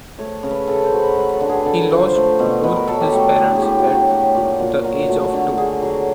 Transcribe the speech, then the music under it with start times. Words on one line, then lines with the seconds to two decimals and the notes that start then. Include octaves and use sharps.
He lost both his parents at the age of two.
0.19 A3 C#5
0.43 C#3
0.51 B4
0.67 C#3 A4
0.84 C5
0.93 F#3
1.00 B4
1.16 A3 B4
1.33 A4
1.41 D3
1.49 G#4
1.65 D3 A4
1.82 A#4
1.90 F3
1.98 C5
2.15 A3
2.39 B2
2.64 B2 B4
2.76 A#4
2.88 F#3 A4
3.01 G4
3.12 A3
3.38 A2
3.55 G#4
3.62 A2 G4
3.79 F#4
3.86 F#3 G4
3.95 F#4
4.10 A3 G4
4.35 A#2 F#4
4.60 A#2 F#4
4.84 F#3
5.08 A3 F#4
5.34 D3
5.57 D3 G#4
5.82 F#3